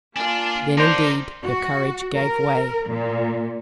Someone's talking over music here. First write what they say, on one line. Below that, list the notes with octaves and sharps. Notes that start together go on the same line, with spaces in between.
Then, indeed, her courage gave way.
A#3 D4 F4 G#5
D4 D#4 A#4 C5 C6
F#4
A#4
A#2